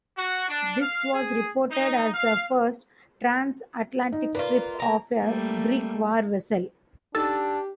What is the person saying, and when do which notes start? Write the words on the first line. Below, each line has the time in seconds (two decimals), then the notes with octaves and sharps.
This was reported as the first transatlantic trip of a Greek war vessel.
0.17 F#4
0.49 D4
0.81 F5
1.13 G#4
1.70 D#4
2.13 F5
4.12 D#4
4.35 A#3 F4 B4 D5
4.80 A#3 A#5
5.22 G3 A3 A#3
7.15 D4 D#4 G4 A4 E6 A6